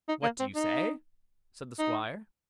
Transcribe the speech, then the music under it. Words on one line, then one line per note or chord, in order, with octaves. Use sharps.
'What do you say?' said the Squire.
D#4
A#3
C4
D#4
D#4